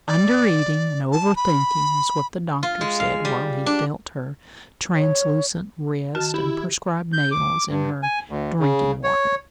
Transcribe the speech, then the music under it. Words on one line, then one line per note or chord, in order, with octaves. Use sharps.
"Under-eating and over-thinking" was what the doctor said while he felt her translucent wrist and prescribed nails in her drinking-water.
D5
A5
B5
F4
G#3
F5
G3
D4
C#5
D#3 F#4 A5 F6
E4 G4
G6
D6
G2
G#5
D2
C#3
C#5